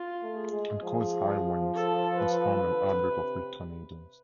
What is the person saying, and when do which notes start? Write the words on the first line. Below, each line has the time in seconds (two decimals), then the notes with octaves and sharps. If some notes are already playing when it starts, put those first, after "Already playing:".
It caused high winds and spawned an outbreak of weak tornadoes.
Already playing: F4
0.22 A3
0.37 G#4
0.52 G#3
0.83 F3
1.73 A4
2.18 B4
2.64 D3
3.08 C3